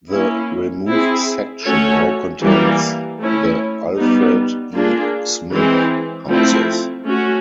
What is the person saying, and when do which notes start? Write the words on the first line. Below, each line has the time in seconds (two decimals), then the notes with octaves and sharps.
The removed section now contains the Alfred E. Smith Houses.
0.11 A#3 C#4 E4
0.88 C4 E4 G#4
1.65 A3 C#4 F#4 A4 C#5
2.42 E3 G3 A#3
3.19 A3 C#4 E4
3.96 G3 B3 D#4
4.73 A#3 D4 F4 G#4
5.50 E3 G#3 C4
6.28 F3 A3 C4 E4
7.05 A3 C#4 F#4